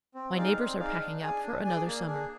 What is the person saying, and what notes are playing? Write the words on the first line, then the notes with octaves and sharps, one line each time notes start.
My neighbors are packing up for another summer.
C4
D#4 G#4 D5 F5
C4
D#4 G#4 D5 F5
D4
G#4 D5 G#5
D4
G#4 D5 G#5
A#3
D4 G#4